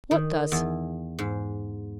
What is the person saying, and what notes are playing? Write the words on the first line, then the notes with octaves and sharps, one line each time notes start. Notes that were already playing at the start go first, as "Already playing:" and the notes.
"What does?"
D#3
E2
G#2